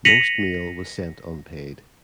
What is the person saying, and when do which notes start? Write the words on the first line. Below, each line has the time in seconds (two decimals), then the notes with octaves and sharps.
Most mail was sent unpaid.
0.05 A#6 B6 C#7 D#7 F7 F#7